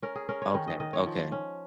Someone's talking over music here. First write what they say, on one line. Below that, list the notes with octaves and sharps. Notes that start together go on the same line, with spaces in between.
Okay, okay.
C#4 A#4
G#4
C#4 A#4
C#5
D#3 C#5
D#5
D#3 D#5
C#5
F3
C#4